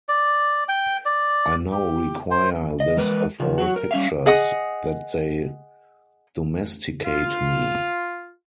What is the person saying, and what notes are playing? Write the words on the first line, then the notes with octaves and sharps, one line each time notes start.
I now require this of all pictures, that they domesticate me.
D5
G5
D5
G4
C5
D#5
E3 G#3 A#4 B4
E2 C#3 F3
F#3 F#4
A#4
G3 C#4 E5 F5
G#4 D#5 F#5 D#6
F4